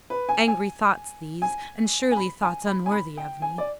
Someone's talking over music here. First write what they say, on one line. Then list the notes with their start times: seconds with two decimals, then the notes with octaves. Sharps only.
Angry thoughts these--and surely thoughts unworthy of me?
0.10 B4
0.29 G#5
0.48 G#5
1.42 G#5
2.12 G#5
2.17 B5
2.42 G#5
2.67 B5
2.86 G#5
2.92 B5
3.17 G5
3.42 G#5
3.58 D5